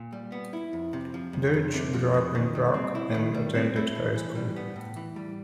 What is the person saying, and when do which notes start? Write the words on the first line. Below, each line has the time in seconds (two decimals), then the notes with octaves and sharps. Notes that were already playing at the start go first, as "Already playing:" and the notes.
Deutsch grew up in Prague, and attended high school.
Already playing: A#2
0.12 G3
0.32 B3
0.53 E4
0.73 F2
0.93 C3
1.14 F3
1.33 F2
1.54 F2
1.74 C3
1.93 F3
2.14 F2
2.35 D#3
2.55 G3
2.74 C4
2.95 E4
3.15 D#3
3.34 G3
3.55 C4
3.76 E4
3.95 A2
4.15 E3
4.35 G3
4.56 B3
4.76 A2
4.96 E3
5.16 G3